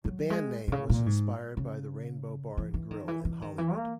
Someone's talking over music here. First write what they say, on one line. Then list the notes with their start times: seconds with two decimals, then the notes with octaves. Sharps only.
The band name was inspired by the Rainbow Bar and Grill in Hollywood.
0.05 F#3
0.30 G#3
0.68 B2
0.72 C#3
0.89 A#2
1.06 G#2
1.57 C#3
2.57 E3
2.74 E3
2.91 D#3
3.08 E3
3.25 E3
3.42 D#3
3.58 E3
3.75 A#3